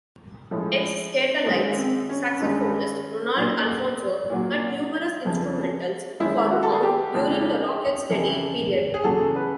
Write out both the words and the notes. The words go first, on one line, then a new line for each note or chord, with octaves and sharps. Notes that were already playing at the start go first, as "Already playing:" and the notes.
Ex-Skatalites saxophonist Roland Alphonso cut numerous instrumentals for Kong during the rocksteady period.
A2 F3 G#3
F#2 D#3 G#3
C4
C#4
G2 D#3 G#3
A#2 F#3
A#2 F#3
F2 C#3 F3
F#2 D#3 G#3 E4
F#4
A4
G#4
G4
F2 C#3 F3 G#3
F2 C#3 E3
G#4
E2 C#3 F#3 A4
B4